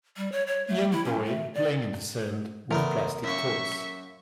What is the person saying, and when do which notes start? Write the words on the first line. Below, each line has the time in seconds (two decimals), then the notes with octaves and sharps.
Young boy playing in the sand with plastic toys.
0.17 G3
0.32 C#5
0.47 C#5
0.68 A3
0.92 E4
1.05 C#4
1.25 A3
1.54 D5
2.71 A#2 C#3 E3 A3 B3 A#4
3.24 F#2 A#3 E5 C#6